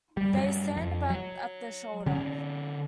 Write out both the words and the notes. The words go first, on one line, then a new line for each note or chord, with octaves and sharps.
They stand about at the shoulder.
G3
G2 F#3
F2
F#3
D3 C#4